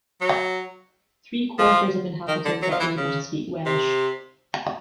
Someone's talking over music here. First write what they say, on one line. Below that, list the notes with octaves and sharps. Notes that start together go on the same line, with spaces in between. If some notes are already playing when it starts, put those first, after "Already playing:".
Three-quarters of inhabitants are able to speak Welsh.
F#3
F3
D#3
D3
F#3
F3
E3
C#3
C3